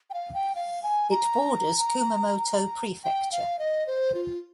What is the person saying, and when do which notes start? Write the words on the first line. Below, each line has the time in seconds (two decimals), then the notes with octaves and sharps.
It borders Kumamoto Prefecture.
0.10 G5
0.14 F5
0.34 G5
0.55 F5
0.83 G#5
1.11 A#5
3.04 G5
3.32 F5
3.59 D#5
3.87 C5
4.14 F4